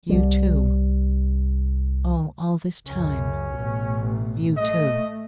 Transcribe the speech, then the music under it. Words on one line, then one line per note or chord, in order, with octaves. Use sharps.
"You too--oh, all this time, you too?"
C2 G3
C#2 F#2 C#4
A1 B2
A3 D#5